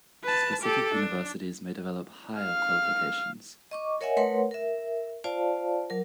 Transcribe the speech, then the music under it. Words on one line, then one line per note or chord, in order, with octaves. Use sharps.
Specific universities may develop higher qualifications.
B4 A5
G4 A4
D4
F5 F6
D#5 C#6 D6
A#4 C#5 D#5 E5 F#5 G#5
A3 A#4 B4 C#5 F#5 C6
A#4 E5
F4 C5 D5 F5 A5
F#3 A#4